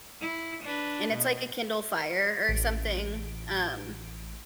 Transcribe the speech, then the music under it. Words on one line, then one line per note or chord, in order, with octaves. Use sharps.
and it's like a Kindle Fire or something, um
E4
D4 B4
B2
A1 D7